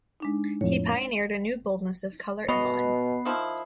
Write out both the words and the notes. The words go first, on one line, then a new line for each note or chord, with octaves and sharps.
He pioneered a new boldness of color and line.
G#3 D4 D#4
F2 A2 C#5
B2 B3 C#5 D#5 B5 C7
D#3 F3 E4 D#6